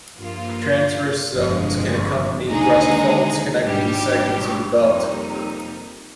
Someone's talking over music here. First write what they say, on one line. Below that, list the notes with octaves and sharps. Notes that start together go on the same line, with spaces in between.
Transverse zones can accompany thrust faults connecting the segments of the belt.
G2 F3 A#3 F4
G1 F2 D3 F3 G#3
D#2 D3 G#3 D#4 G#4
G#1 G#2 G3 D4 G4
F2 C3 G3 A#3 D#4